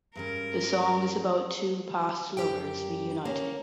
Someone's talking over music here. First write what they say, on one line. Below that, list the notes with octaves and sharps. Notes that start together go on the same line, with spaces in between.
The song is about two past lovers reuniting.
G2 G#3 C#4 A#4
F#2 G4 G5
A#3 C#4